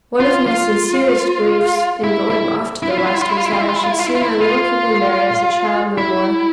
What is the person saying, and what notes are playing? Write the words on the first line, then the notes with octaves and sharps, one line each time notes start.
One of my sincerest griefs in going off to the West was that I should see my little pupil Mary as a child no more.
F4
F4
E4
E4
E4
F4
E4
F4
E4
F4
E4
F4
E4
F4
E4
F4
E4
F4
E4
F4
E4
F4
E4
F4
E4